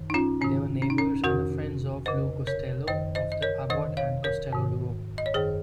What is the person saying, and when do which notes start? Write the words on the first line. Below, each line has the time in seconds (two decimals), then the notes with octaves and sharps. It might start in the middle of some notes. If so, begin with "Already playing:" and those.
They were neighbors and friends of Lou Costello, of the Abbott and Costello duo.
Already playing: F#2 D#3
0.10 D#4
0.14 C#4 F4
0.41 G#2 D#3 C#4
0.82 C#4
0.90 D#4
0.98 C#4
1.24 F2 C3 D#3 F#4 A#4
2.06 F2 C#3 C5 D#5
2.47 A#4 C#5
2.88 F#2 D#3 C5 D#5
3.15 C5 D#5
3.32 D#5
3.42 A#4 C#5
3.70 F2 C3 D#3 C5 D#5
3.97 C#5 F5
4.24 A#4 C#5
4.53 G#2 D#3
5.18 D#5
5.26 C#5
5.34 F#2 D#3 G#4 C5